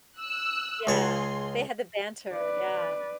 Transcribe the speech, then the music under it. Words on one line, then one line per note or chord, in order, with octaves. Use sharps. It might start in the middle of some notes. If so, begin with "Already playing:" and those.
Yeah, they had the banter. Yeah.
E6 F#6
C#2 G#4 C#5 A5 C6
B4 D5